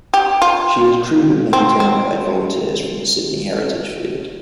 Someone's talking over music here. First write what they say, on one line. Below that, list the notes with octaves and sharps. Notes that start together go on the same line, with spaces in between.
She is crewed and maintained by volunteers from the Sydney Heritage Fleet.
G4
F4
C4
C4